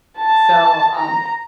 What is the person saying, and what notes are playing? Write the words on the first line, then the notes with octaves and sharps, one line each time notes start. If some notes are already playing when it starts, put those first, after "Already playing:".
So, um
A5
A#5